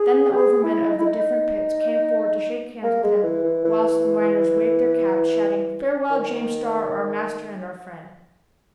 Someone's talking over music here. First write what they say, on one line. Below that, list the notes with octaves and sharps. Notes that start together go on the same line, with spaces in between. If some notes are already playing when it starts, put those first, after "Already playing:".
Then the overmen of the different pits came forward to shake hands with him, whilst the miners waved their caps, shouting, "Farewell, James Starr, our master and our friend!"
Already playing: G#4
G4
G#4
E4
D#4
E4
D#4
D#4
A#3
G#3
E3
E3
E3
D#3